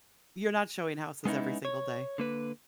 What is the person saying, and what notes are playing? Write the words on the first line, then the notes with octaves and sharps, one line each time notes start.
You're not showing houses every single day.
G#3 B3 C#4 D#4 E4
C#5
D3 A#3 B4